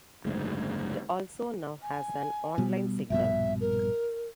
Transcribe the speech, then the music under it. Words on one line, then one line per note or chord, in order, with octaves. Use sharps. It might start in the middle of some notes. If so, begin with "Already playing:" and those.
It also now has an online signal.
F#1 D2 G#2
G#5
B2 G3
A#1 G2 B2 E5
A#4